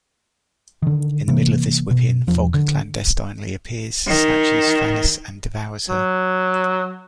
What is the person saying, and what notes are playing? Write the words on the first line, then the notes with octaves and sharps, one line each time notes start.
In the middle of this whipping, Thog clandestinely appears, snatches Thalis, and devours her.
D3 D#3
C3 E3 A#3
B2
E1 F3
D3
D#3
F#3